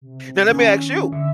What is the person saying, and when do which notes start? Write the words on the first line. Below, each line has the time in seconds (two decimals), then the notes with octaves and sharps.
Now let me ask you.
0.01 C3
0.49 D#3 C#4
1.12 D3 E5